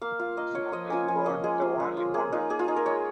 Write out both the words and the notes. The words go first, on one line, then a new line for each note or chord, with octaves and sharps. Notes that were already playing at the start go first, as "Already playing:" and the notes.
Its motto is "God, The Only Founder".
A#3 F5
F4 F5
A#3 D#5
F4 C#5
F3 D#5
A#3 C#4 F4 G#5
F3 G#5
A#3 C#4 F4 D#5
G#3 G#4
F4
G#3
F4
A#3 G#4
D#4 F4
A#3 G#4
F4
D#4 G#4
A#4
G#3 C#5